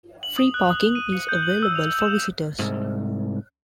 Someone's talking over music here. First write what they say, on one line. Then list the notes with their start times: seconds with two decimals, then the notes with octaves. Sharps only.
Free parking is available for visitors.
0.23 F#7
0.38 D#6
0.54 F#6
0.71 D#6
0.95 D#7
1.12 C#7
1.29 G6
1.43 F#7
1.63 E6
1.75 F7
2.01 E7
2.59 C2 G#2